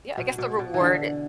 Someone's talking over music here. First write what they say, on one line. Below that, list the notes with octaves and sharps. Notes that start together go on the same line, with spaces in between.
Yeah, I guess the reward
B2
B2
B2
E3
D3